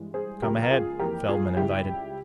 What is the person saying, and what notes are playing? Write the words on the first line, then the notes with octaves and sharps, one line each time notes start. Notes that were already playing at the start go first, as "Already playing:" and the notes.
"Come ahead," Feldman invited.
Already playing: G2 E3 G#3
G#4 C5
C#2 C#3 F3 A#3 G4 A#4
A#4
F4 G#4
F2 E3 A#3 G4 A#4
F4 G#4
C#2 C#3 G3 E4 G4